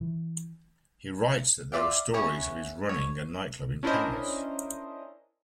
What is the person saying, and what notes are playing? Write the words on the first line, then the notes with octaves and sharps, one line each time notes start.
He writes that there were stories of his running a nightclub in Paris.
E3
F4 D5 E5 F5 G5
A3 B3 C#4 E4 C#5
C#5
C#4 D4 E4 A#4 C5 D#5